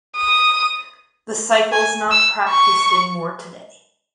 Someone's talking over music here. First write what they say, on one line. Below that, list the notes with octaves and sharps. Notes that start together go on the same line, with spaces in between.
The cycle is not practiced anymore today.
D#6
G#5
E6
C#6